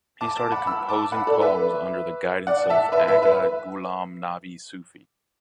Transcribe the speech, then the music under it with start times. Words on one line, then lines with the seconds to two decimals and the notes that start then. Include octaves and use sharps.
He started composing poems under the guidance of Agha Ghulam Nabi Sufi.
0.21 A5 D6
0.37 A5 D6
0.51 F#5 B5
0.67 B5 E6
0.89 A5 D6
1.12 F#5 B5
1.27 A4 D5
1.41 B4 E5
2.47 D5 F#5
2.70 E5 A5
2.92 B4 E5
3.07 B4 E5
3.22 B4 E5